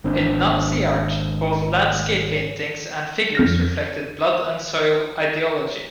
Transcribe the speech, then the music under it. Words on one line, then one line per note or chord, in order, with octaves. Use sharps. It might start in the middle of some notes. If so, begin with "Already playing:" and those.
In Nazi art, both landscape paintings and figures reflected "blood-and-soil" ideology.
G#1 C4 D4
F2 F6 A#6